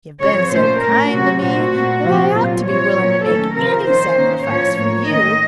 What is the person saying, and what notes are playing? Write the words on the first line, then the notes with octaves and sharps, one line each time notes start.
You've been so kind to me that I ought to be willing to make any sacrifice for you.
C#3 F3 C4 C#5
A#2 A3 C#4 C5
A2 A3 C#4 A#4
C3 F#3 C4 F#4
A#2 A3 C4 F#4
A#2 A3 C4
C3 F3 C4
A#2 F#3 C4 F4
C3 F3 C4 C#5
A#2 F#3 A#3 C#4
D#3 A3 C#4 A4
C3 F3 C4 A#4
D#3 A#3 C#4 C5
D#3 A#3 C#4
A2 F3 A#3 C#4 C#5
A2 F3 A#3 C#5
D#3 A3 C#4 D#5